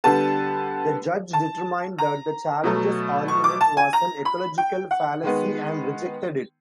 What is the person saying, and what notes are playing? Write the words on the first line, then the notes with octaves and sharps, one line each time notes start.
The judge determined that the challengers' argument was an ecological fallacy and rejected it.
D3 G3 B3 A5
A5
A#5
B2 F#3 A3
C#6
D6
A5
G#5
A#5
B5
G5
F#5
D#3 G#3 B3